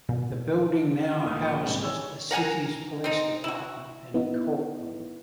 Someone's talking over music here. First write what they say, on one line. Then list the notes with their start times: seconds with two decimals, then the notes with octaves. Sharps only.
The building now houses the city's police department and courtroom.
0.09 B2
1.24 C#2 A2 A#3 C#6 D#6 F6
1.42 A#1 F3 A#4 B5 C#7
1.65 G#2 C3 D#3 G3 G#3
1.83 E3 D4 C#5 C#6 E6
2.31 A#4 F#5 G#5 A#5
3.04 C4 D#4
3.44 E4 F#4
4.14 B3 D#4 E4